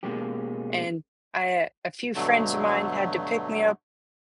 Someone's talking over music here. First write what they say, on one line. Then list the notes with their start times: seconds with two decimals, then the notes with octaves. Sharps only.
and I uh a few friends of mine had to pick me up,
0.03 B2 G#3 A#3 C#4 G4
2.15 G2 B2 D3 F#3 A3